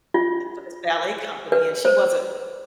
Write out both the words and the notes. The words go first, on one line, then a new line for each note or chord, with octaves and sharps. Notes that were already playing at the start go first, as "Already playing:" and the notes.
for this ballet company, and she wasn't,
F4
B4
C5